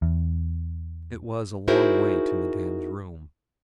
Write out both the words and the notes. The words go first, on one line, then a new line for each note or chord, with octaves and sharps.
It was a long way to Madame's room.
E2
D#4 E4 F#4 G#4 A#4 C5